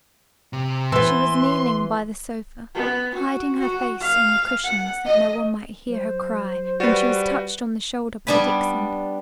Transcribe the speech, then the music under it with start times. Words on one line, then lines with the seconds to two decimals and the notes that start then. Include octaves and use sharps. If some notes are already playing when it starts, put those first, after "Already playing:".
She was kneeling by the sofa, hiding her face in the cushions that no one might hear her cry, when she was touched on the shoulder by Dixon.
0.53 C3
0.92 E3 B3 C6
2.75 B3
3.15 F#4
3.59 F#4
4.01 F5
4.64 F#5
5.05 D#5
5.90 F#3 C5
6.80 G3 F#4 B4
8.27 G3 B3 D4 G#5 B5